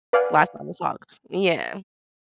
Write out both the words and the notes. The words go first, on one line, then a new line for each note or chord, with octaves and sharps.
last time we talked. Yeah.
B4 D5 F5 F#5 G#5